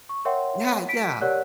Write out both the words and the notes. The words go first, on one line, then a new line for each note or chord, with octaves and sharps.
Yeah, yeah.
C#6
A#4 C#5 E5 F#5 G5 C6
B6 D7
G4 A#4 C#5 D5 F#5 F#6